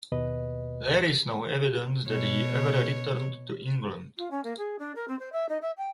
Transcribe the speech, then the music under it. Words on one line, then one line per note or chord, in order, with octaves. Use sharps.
There is no evidence that he ever returned to England.
D#2 B2 B4 D#5
B2 C#5
F4
C#4
A#3
G#4
D4
A#4
C4
C5
E5
D#4
E5
G5